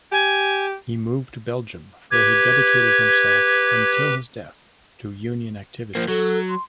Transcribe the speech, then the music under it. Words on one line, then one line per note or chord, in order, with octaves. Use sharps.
He moved to Belgium where he dedicated himself until his death to union activities.
G4 G#5
G4 B4 G#6
F3 A#3 C5
F#3 A4
C6